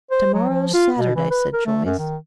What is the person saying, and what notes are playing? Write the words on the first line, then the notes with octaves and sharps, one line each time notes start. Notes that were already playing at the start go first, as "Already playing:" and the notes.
"To-morrow's Saturday," said Joyce.
C5
F#3
F3
F4
B2
E3
B4
A#4
A3
F#2
D#3